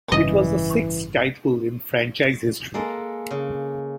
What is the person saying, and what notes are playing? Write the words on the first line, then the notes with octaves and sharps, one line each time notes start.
It was the sixth title in franchise history.
A1 G2 C#3 E3 D#5
G#3 A#3 A4
C#3